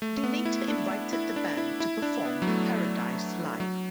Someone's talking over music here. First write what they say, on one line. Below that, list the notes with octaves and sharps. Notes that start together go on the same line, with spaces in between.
They later invited the band to perform "Paradise" live.
A3
A3
B3
E4
D4
D4
E4
D4
E4
E4
D4
B3
F#3
A3
F#3